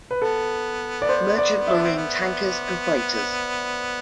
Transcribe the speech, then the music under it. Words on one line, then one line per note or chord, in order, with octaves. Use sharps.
Merchant Marine tankers and freighters.
B4
B3 A4
D5
C5
D5
D4 E5
C4
B3